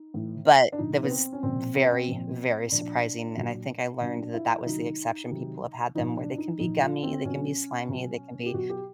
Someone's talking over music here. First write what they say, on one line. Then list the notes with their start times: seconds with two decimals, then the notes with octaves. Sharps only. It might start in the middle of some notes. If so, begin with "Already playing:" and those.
but that was very, very surprising and I think I learned that that was the exception. People have had them where they can be gummy, they can be slimy, they can be
Already playing: D#4
0.14 A2 E3
0.73 D4
0.79 A#2 F3 D#4
1.03 B3
1.10 C4
1.33 C#4
1.43 A#2 F3 C4
1.76 C4
1.83 B3
1.91 C4
2.08 A#2 F3 C4
2.72 A#2 F3 D4
3.36 A#2 F#3
4.01 A#2 F#3 D4
4.34 E4
4.66 C3 D#3 F#3 D#4
5.31 C3 D#3 F#3
5.95 A#2 F3 D#4
6.17 D4
6.38 D#4
6.59 A#2 F3 D#4
6.82 F4
7.03 C4
7.25 B2 F#3 C#4
7.89 B2 F#3
8.46 G4
8.54 B2 F#3 F#4
8.70 G4